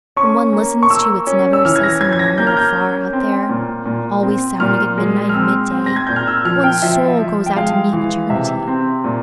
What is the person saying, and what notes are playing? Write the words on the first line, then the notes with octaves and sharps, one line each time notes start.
When one listens to its never-ceasing murmur afar out there, always sounding at midnight and midday, one's soul goes out to meet Eternity.
C#4 C#6
A#3
C#6
A#3 E6
C#4
E6
E3 F6
G#6
A#6
C#4 G#6
G#6
A#6
A#3 G6
F6
G6
C#4
C4
A#2
A#2
C4
A#2 F6
G#3
F6
C4 E6
C4
A#6
G#6
A#2 G6
F6
E6
F3 F6
G5
F3 E5
E5
F3
G5
G#3 F5
E3
C3 E5
C4
A#2